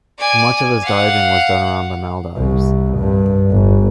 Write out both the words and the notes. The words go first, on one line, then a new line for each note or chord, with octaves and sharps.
Much of his diving was done around the Maldives.
D5 G#5
F5 F#5
C2
G2
G1